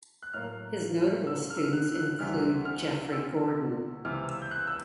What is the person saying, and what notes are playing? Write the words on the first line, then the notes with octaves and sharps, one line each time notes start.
His notable students include Geoffrey Gordon.
F#6
A2 F#3 A#3 F6
E6
F6
E6
F6
F#6
F#6
D2 C3 E3 G3 F6
F6
E6
C#2 C3 E3 F6
E6
G6
F#6
E6